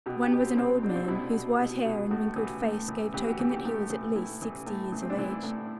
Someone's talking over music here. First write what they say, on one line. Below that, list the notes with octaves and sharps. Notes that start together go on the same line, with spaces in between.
One was an old man, whose white hair and wrinkled face gave token that he was at least sixty years of age.
B2 G4
G4
B2
C4
B2 C4
B2 C4
D4
C4
B2 E4
B2
B2
B2
A2 F#4
E3
A2
E3
E3 G4
F#4
E3 G4
G4
A2
E3
A2 E4
E3
A2
E3
C4
D4
E3 E4
A2